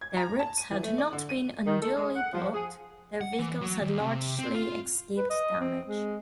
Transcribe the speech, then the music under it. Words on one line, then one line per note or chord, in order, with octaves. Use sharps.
Their routes had not been unduly blocked; their vehicles had largely escaped damage.
G#6
A#5
A5
D#7
E3
A3
D5
D3
D#7
D#3
A4
G#3
F#5
F3
G#4
F#5
E3
F#3
D#2
C3
C4
F4
B4
D#5
C4
G#3